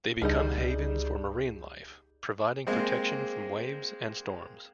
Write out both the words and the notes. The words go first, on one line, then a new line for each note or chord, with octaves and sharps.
They become havens for marine life, providing protection from waves and storms.
C#2 G3 D#4 G#4 D#5 G6
G#3 A#3 C4